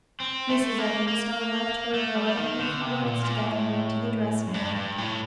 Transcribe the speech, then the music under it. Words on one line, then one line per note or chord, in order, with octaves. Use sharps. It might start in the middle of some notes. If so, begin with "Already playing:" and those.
Mrs. Edmonstone left her and Laura to have a few words together, and went to the dressing-room.
C4
A3
A#3
A#3
A3
G3
D#3
D3
C3
A#2
A#2
A2
F#2
G2
G2
A2